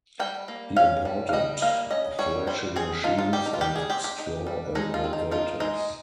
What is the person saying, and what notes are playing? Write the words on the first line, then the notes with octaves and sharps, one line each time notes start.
He imported thrashing machines and straw elevators.
G3 G5
A#3
C#4 F5
G3
F5
G3 D#5
A#3 F5
C#4 D#5
G3 C#5
G3 C5
C4 G#4
D#4 F4
F4
G3 G4
D#4
F4
G3 G4
G#4
C4 G4
G4
D#4
G3
G#3 D#4
F4
C4
D#4
D#4 F4
G#3 D#4